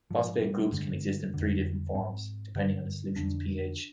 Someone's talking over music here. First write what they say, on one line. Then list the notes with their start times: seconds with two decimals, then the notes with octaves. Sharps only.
Phosphate groups can exist in three different forms depending on a solution's pH.
0.11 G#2 F3
0.42 G3
0.72 G2 D3 G#3
1.34 F2 D3
1.94 G#2 C4
2.55 G2 D3
3.16 F2 D3 D4